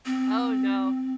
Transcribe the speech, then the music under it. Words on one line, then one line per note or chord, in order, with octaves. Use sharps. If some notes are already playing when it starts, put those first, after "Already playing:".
Oh no.
C4